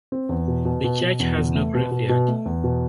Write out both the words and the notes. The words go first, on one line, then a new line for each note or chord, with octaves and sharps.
The church has no graveyard.
C4
E2
B2
B2
B2
B2
E2
B2
A3
B2
B2
B2
A3
E2
B2